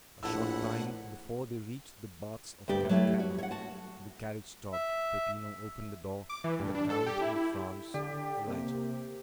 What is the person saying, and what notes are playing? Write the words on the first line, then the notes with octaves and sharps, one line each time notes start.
A short time before they reached the Baths of Caracalla the carriage stopped, Peppino opened the door, and the count and Franz alighted.
A#1 A2 E4 F#5 A5 E6
D2 G2 G4 D5
F#3 A3 E4
F#4
C#5 F#5
F#4 A5
E5
D6
E3
G2
D4
A4
G4
E4
E4
D3 G4 D5
C3 A#3